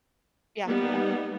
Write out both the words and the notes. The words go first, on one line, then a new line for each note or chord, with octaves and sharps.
Yeah, yeah.
G3 A#3 B3 D#4